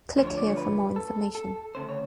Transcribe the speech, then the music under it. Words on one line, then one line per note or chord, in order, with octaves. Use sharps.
Click here for more information.
D2 D3 F3 C5
C#5
D5
C#5
B4
A4
A4
D2 C#3 C5
C#5